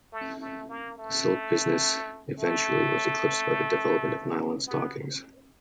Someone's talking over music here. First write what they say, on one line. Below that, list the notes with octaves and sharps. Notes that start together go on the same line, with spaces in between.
The silk business eventually was eclipsed by the development of nylon stockings.
A3
A3
A#3
A3
A3
B3